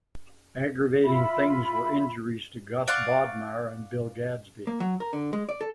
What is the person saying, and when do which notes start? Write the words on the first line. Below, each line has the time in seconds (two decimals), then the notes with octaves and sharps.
Aggravating things were injuries to Gus Bodnar and Bill Gadsby.
1.04 F4 E5 B5
2.88 D5 F5 F#5 C#6
4.67 A#3
4.80 F#3
5.00 A#4
5.13 D3
5.33 G#3
5.49 D5
5.61 A4